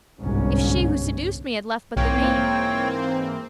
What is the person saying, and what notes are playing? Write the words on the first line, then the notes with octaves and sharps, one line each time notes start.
If she who seduced me had left but the name.
G1 C2 G#2 C#4
B1 G#2 E3 A#3 C4 C#5 G5